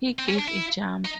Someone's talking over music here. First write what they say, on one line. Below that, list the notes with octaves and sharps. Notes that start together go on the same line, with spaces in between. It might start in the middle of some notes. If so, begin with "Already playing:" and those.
He gave a jump.
C4
C#4
D4
E4
D#4